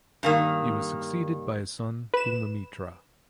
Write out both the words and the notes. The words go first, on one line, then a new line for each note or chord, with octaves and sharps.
He was succeeded by his son Bhumimitra.
G2 D#3 A#3
B4 E7